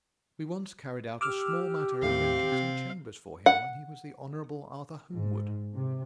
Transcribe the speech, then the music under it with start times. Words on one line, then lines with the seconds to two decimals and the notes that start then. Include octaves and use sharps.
We once carried out a small matter of renting some chambers for him when he was the Honourable Arthur Holmwood.
1.21 G4 D6 E6 F6
2.02 D#2 A2 C4 F5
2.52 C3
3.46 F#5
5.12 G#2
5.74 C3